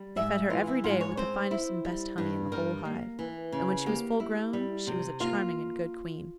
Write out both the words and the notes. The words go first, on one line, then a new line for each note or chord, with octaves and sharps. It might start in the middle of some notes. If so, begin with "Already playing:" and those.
They fed her every day with the finest and best honey in the whole hive; and when she was full-grown, she was a charming and good Queen.
Already playing: G3
G#2 E5
E3 F4
E4
G#2 F4
C#5
C4 C5
E4
G3
G2
G3 A#4
A#3
E3
C#3
A#3 G4
E4
G3
C3
A#3 F4